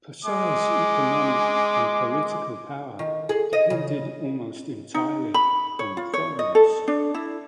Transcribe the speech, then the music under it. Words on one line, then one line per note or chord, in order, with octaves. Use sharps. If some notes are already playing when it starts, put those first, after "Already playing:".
Pasai's economic and political power depended almost entirely on foreigners.
G#3 D6
D#3
G#4
D#5
C#3
D#4
B5
C#5
F4
C#5
D#5
A4
D4
E4